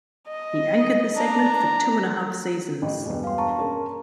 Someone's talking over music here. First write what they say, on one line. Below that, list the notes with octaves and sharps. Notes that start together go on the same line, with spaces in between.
He anchored the segment for two-and-a-half seasons.
D#5
D4 A#5
A1
E1 G2
F5 C6
A5 A#5 C#6
A#3 C#4 G#4